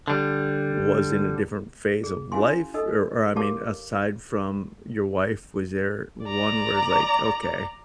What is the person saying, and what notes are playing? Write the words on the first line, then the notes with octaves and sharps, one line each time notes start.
was in a different phase of life? Or or, I mean, aside from your wife, was there one where it's like, "Okay,
D3 G3
G#4
C#4 E4 F#4 F5 G#5 C6
D#4 A4 D#5 E6
G4 A#4 C#5 F5 A5 D6
D5 A#5